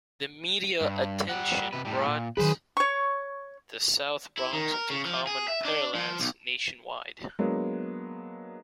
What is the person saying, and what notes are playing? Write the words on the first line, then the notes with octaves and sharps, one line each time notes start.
The media attention brought the South Bronx into common parlance nationwide.
G2
G3 F#5
C3 B4
A2 G3
A#2
D#3 F#3 G#4 B4 C5
C#5 C#6
E4
D#3
A#4
C#3
F3
G#4
E5
D4
F3
B1
F#3 G#3 A#3 B3 D4 G#4